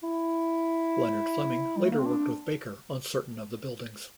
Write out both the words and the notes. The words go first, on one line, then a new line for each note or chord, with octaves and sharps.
Leonard Fleming later worked with Baker on certain of the buildings.
E4
G3
A3
A#3
C4
D4